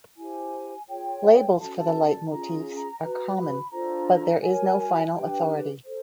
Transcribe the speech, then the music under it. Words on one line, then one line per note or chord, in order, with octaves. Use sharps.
Labels for the leitmotifs are common, but there is no final authority.
E4 G4 C5 G#5
F4 G#4 C#5 G5
C#4 F#4 A4 A5
A5
C#4 F4 G#4 A#5
F#4 B4
B5
D4 F4 A4 C5 A#5
F#4 A#4 C#5 G#5
D4 G4 B4 G5
A4 C5